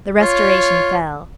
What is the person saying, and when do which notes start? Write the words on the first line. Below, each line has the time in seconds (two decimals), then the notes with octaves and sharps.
The Restoration fell.
0.20 F4 C#5